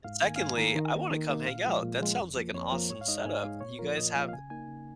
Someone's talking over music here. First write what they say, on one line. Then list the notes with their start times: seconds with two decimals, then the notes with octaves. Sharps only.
And secondly, I wanna come hang out, that sounds like an awesome setup. You guys have
0.04 G#2 F5
0.22 D#3 A#3 G#5
0.36 F5
0.39 G#2 G#5
0.57 D#3 A#3 A#5
0.76 D#3
0.93 A#3 D#4
1.11 D#3
1.29 A#3 D#4
1.47 A#2 F5
1.64 F3 G#3 F4
1.83 A#2
2.01 F3 G#3 F4
2.18 F2
2.36 F3 A#3
2.54 F2 C#5
2.71 F3 A#3 A#4
2.89 G#2 C#5
3.01 F5
3.08 G#3 D#4 D#5
3.25 G#2 G#5
3.43 G#3 D#4 F5
3.61 A#2 C#5
3.79 F3 A#3 F4 A#4
3.97 A#2 D#5
4.15 F3 A#3 F4 F5
4.29 F5
4.33 C#3 G#5
4.50 A#3 D#4 G#5
4.68 C#3